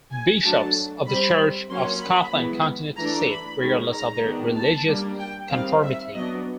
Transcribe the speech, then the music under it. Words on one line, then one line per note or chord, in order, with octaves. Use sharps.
Bishops of the Church of Scotland continued to sit, regardless of their religious conformity.
G#5
F#3 A3 D4 A5
G3 C4 B5
F#3 A#3 C#4 C6
B5
E3 G#3 B3
E3 A3 D4 A#5
B5
D#3 G#3 C#4
A#5
D#3 G#3 B3 D4
A5
G3 A#3 D4
G5
D#3 G3 C4 F5
E5
F#3 B3 D4 D#5